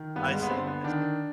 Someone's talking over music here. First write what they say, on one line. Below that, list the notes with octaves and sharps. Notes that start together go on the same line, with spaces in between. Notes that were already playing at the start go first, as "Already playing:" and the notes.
I see, I see.
Already playing: D#3
G2 B3
G3
G#3
B3
D3 C4
B3
D#3 D4